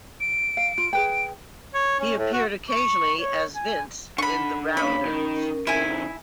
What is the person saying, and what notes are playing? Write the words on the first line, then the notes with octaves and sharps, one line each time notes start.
He appeared occasionally as "Vince" in "The Rounders".
D7
F5
F4
G#4 B4 G5
C#5
C#4
A2
F#4
C#6
C#5
G#5
D3 B5 C#6
A#2 C#4 D4 C#5 F5 B5
D#3 C#4 A#4
C3 D#3 E4 G#5